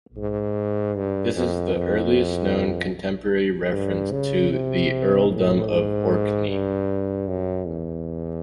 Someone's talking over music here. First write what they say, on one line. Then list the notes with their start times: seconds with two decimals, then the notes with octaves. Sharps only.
This is the earliest known contemporary reference to the earldom of Orkney.
0.17 G#2
0.96 G2
1.35 F2
1.75 F2
3.72 G2
4.12 C#3
4.51 C3
5.30 A2
5.70 G#2
6.49 G2
7.28 F#2
7.67 E2